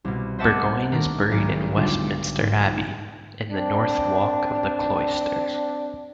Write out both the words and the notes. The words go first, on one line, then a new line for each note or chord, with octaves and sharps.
Burgoyne is buried in Westminster Abbey, in the North Walk of the Cloisters.
C2 B2
C5 D#5 E5 F#5 A5 D6
D#3 A3 D4 A#4
B1 G#2 G#4 A#4 D5
D3 G3 D4 F4
G#2
C4 D4